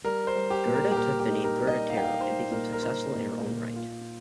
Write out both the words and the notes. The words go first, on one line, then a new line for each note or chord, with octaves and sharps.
Gerda took the name Gerda Taro and became successful in her own right.
G3 A#4
C5
G3
G4
A#2
A#4
G4
A#2 A#4
G4
D#4
A#4
G3
D#5
D#4 F5
G5
F5
D#4 C5
A#2 A#4
A#4
D#4 C5
A#2
A#2
F4